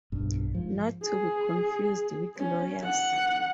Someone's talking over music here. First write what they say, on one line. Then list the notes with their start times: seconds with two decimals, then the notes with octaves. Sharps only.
Not to be confused with lawyers.
0.12 B1 G2
0.55 G#2 F3
1.04 G#4
2.37 C#4
2.84 F#5